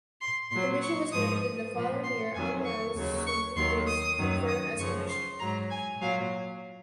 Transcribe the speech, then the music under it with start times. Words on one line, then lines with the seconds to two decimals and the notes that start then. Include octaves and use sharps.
Permission was granted and the following year Ang Lai Soon was confirmed as Commissioner.
0.21 C6
0.51 A#2 F#3 C6
0.81 C#6
1.12 G#2 F3 D#6
1.73 A#2 F3
2.03 C6
2.34 F2 D#3 F#3 G#5
2.65 C#6
2.95 D#2 C#3 F#3
3.26 C#6
3.56 D#2 D#3 F#3 C6
3.87 D#6
4.18 F#2 D#3 F#3
4.48 D#6
4.78 F#2 C#3 F3 C#6
5.09 C6
5.39 G#2 F#3 A#5
5.70 G#5
6.00 A#2 F#3 F5